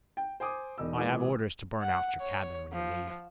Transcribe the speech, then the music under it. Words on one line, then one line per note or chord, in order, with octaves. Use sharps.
I have orders to burn out your cabin when you leave.
G5
C5 G#5 D6 D#6
E1 D#4 E6
A#2 E3 G#3
F#5
C#5
F3